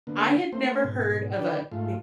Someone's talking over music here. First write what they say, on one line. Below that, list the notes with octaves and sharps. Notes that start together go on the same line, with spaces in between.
I had never heard of a big
D3 A#3 B3
A3 A#3 C4 C5
G#2 B2
D3 D#4 B4 D5 G5
G#2 A3 F4